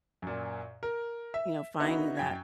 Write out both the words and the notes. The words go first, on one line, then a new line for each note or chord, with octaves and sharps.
you know, finding that
F#2 A#2
A#4
E5
D3 B3 D#4 E4 F#4
F#2 G5 G#6